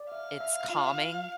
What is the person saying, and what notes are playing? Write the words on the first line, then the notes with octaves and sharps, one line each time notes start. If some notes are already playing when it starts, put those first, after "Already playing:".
it's calming,
Already playing: D5
E5 F5
E5
F4